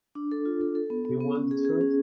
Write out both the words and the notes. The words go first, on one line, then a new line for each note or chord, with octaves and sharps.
You want the truth?
D4
A4
F4
A4
A4
B3
B3
B3
C#4
G#4
G#4
C#4